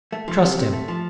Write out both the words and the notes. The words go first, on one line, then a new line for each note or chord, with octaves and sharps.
Trust him.
A3
F3
C3
C3
A3
F3